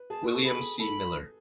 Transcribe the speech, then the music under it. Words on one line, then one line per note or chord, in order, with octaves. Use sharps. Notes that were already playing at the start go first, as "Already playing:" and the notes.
William C. Miller.
Already playing: B4
G#4 A5
B4 C#6
A4
G#4 B5
A4 B5